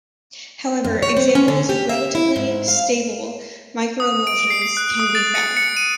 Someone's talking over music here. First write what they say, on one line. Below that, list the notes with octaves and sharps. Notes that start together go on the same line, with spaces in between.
However, examples of relatively stable microemulsions can be found.
F#2
C#5
C4
C#4
D3
G4
E5
E4
G#2
F5
D#6
D7
C7
C7
F#6
D#6
A6
C#7
C#7
D#7